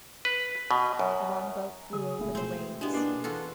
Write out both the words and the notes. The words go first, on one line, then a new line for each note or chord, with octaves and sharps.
The longboat flew over the waves.
B4
B2
F#2
C#3 G#4 D#6
D1 C2 A2 G#3
B2 C4 C5
G#3 B3 D4 E4 G4
A#3 D4 C7
E2 F4 F#4 A4